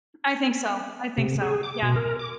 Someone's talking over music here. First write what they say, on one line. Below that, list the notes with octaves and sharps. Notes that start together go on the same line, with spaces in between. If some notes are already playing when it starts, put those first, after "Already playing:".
I think so. I think so, yeah.
C3
G#4
D6
B2
A#4
D6